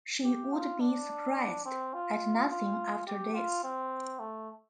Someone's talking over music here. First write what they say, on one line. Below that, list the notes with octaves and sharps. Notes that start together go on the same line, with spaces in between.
She would be surprised at nothing after this!
G4
F4
D4
C4
F4
F4
G4
F4
C4
A3